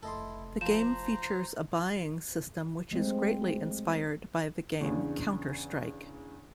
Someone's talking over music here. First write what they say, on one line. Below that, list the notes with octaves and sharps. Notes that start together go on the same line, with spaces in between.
The game features a buying system which is greatly inspired by the game "Counter-Strike".
F1 E4 A4 D#5 C6
F3 C5 A#5 E7
F#3 G#3 A3 C4
E2 C#3 D4